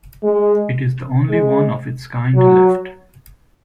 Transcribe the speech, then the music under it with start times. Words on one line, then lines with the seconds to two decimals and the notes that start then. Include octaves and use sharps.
It is the only one of its kind left.
0.23 G#3
1.30 G#3
2.35 F#3